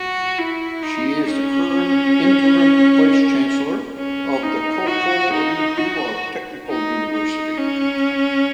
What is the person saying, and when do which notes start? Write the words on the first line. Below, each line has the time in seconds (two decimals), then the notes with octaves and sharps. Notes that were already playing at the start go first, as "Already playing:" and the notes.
She is the current interim Vice Chancellor of the Koforidua Technical University.
Already playing: F#4
0.38 E4
0.83 D#4
1.28 C#4
3.98 C#4
4.43 D#4
4.88 F#4
5.33 D#4
5.78 F#4
6.68 D#4
7.13 D#4
7.58 C#4